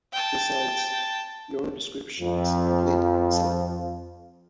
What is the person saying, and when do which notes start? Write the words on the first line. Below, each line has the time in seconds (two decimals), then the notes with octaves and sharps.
"Besides, your description is incomplete," he said.
0.12 G5 A5
2.19 F2 F3